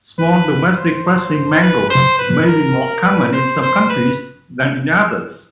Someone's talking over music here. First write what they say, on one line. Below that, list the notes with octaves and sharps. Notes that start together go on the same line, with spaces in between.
Small domestic pressing mangles may be more common in some countries than in others.
B4
C5
B4
C5
B4
A#4
B4
C5
C5
B4